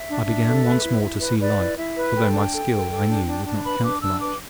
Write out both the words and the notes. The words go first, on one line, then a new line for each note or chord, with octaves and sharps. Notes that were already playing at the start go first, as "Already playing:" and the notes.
I began once more to see light, although my skill, I knew, would not count for much.
Already playing: E5
D4
D4
A4
B4
E4
E4
B4
B4 D5
E4
E4 E5
B4
A4 G5
D4
A4
A4
A4
D4
D4
D4
B4 B5
D4 D6
D4 E6
B4 D6